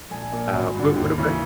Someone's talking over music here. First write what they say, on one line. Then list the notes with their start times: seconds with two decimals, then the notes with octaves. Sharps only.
Uh, but what about
0.10 A#1 G#5
0.32 A#2
0.53 G#1
0.74 G2 D3
0.96 D#2
1.18 C#3 E3